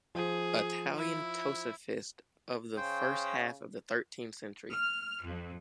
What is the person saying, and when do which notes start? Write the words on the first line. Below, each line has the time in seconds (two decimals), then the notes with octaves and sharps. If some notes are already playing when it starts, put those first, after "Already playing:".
Italian tosafist of the first half of the thirteenth century.
0.15 F3 G#4
0.97 E4
2.77 C#3 C5 G5
4.72 F6
5.26 F2